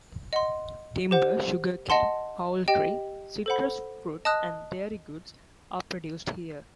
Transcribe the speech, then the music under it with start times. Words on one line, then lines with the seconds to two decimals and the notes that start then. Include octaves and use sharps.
Timber, sugarcane, poultry, citrus fruit and dairy goods are produced here.
0.33 D#5 F#5 C6
1.11 G4 C5 F#5
1.90 D#5 F#5 A5 C6
2.68 G4 D#5 G5
3.46 A4 C5 F#5 B5
4.25 D#5 A5 D#6 F#6